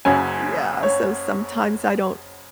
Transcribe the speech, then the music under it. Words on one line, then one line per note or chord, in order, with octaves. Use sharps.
Yeah, so sometimes I don't
F#1 F#2 C#3 F#3 G#5
C#5